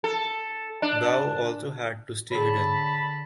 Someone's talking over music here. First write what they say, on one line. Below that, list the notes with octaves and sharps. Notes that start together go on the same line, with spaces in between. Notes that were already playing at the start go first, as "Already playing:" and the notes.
Gao also had to stay hidden.
A4
D4
D3 G#4 C#5 A5 B5